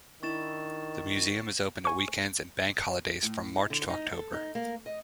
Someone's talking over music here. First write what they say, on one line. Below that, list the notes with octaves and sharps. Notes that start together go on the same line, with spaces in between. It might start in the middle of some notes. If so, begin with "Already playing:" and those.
The museum is open at weekends and Bank Holidays from March to October.
D#3 D4 E4 C#6 A6 E7
G#5 C#6
A2
D#4
D3
D#4
A4
D#4
A#3
D#5